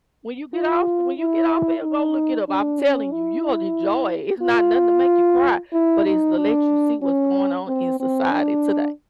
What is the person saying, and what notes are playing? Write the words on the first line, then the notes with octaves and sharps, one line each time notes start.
When you get off when you get off of here go look it up, I'm telling you, you will enjoy it, it's not nothing to make you cry, but it's the let you see what's going on in society today.
F4
E4
D#4
D4
C#4
E4
F4
E4
D#4
D4
C#4
C4
C4
D4